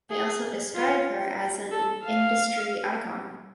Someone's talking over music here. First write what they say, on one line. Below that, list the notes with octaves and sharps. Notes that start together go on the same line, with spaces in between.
They also describe her as an "Industry Icon".
G#4
F4
A4
F5